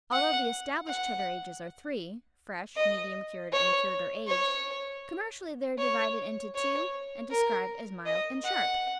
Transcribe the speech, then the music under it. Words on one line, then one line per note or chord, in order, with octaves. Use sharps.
Although the established Cheddar ages are three, fresh, medium-cured, and cured or aged, commercially they are divided into two and described as mild and sharp.
F#5
F#5
D#5
C#5
C#5
C#5
C#5
A#4
D#5
F#5